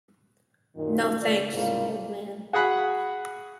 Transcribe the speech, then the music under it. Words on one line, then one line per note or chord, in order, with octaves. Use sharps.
No, thanks, old man.
F#2 A#2 D#3
C#2 D5
C2 G#2 C#3 A#3 F4 F5
F#4 G#4 F#5 B5